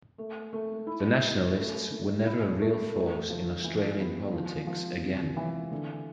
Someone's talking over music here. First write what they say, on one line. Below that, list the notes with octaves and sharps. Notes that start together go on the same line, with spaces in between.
The Nationalists were never a real force in Australian politics again.
A3
A3
E4
E4
A3
A3
E4
A3
A3
F3
E3
B3
F3
F3
C3
E3
D3